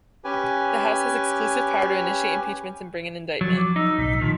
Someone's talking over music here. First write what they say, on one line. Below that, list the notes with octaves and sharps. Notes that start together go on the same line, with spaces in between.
The House has exclusive power to initiate impeachments and bring an indictment.
C#4 G4 B4 G#5
F3 F#3 A6
D6
D#4 E6
B1 A2 B6
A#2 D#3 F3